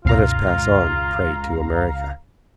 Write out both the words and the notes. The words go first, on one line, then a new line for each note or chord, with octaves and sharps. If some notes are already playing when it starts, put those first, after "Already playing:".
"Let us pass on, pray, to America."
C#2 F#2 B2 F4 F5 A#5